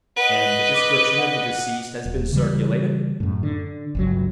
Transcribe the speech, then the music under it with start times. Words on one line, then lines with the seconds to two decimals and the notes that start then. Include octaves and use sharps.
"And the description of the deceased has been circulated?"
0.17 B4 D#5 F#5
0.74 D6
1.17 F#5
2.06 D#1
2.33 C#3 E3 G3
3.20 F#2 A2
3.43 D3
3.95 G1 C#2 F#3